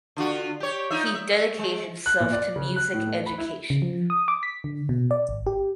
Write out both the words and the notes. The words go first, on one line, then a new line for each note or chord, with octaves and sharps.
He dedicated himself to music education.
D3 F4 F#4
G4 C#5
D#4 F4 E5
E5
G#3
F#6
A#2
D5
C#3
F#6
A2
A3
B5
E4
C#3
F3
D#6
D6
B6
D3
B2
D5
G#1
G4